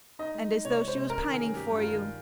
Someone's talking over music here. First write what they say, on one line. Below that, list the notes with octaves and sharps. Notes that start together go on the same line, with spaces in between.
"And as though she was pining for you."
D#4 D#5
G#3
D#4
C3 C#5
G#3
C5
C3
C#4 A#4
D#3
G#4
C#4
G2 G4
G2
F4
D#3
G3